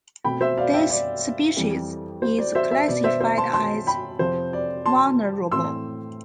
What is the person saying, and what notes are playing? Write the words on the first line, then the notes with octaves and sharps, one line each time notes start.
This species is classified as vulnerable.
B2 A3 C4 G5 B5
C5 E5
D5 F5
E5 G5
D5
F2 E3 G3 C4
C5
D5
C5 E5
C5 E5
B2 B3 D5
C5 E5
C5 E5
A5 C6
A5 C6
G5 B5
F2 C3 F3 C4 C5
D5
A5 C6
A2 E3 A3 C4 C6 E6